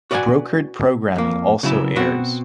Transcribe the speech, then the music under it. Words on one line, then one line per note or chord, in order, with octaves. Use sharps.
Brokered programming also airs.
F#4 B4 D5 F5 F#5 G#5
F2 A#3
C#3 F#3 E4
B2 C4 F#4